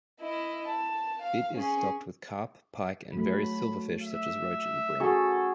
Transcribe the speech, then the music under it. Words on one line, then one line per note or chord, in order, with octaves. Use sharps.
It is stocked with Carp, Pike and various silverfish such as Roach and Bream.
E4 D#5
A5
F5
C#4 G#4
F#3 A3 B5
E5
F#3 C#4 G#4 A4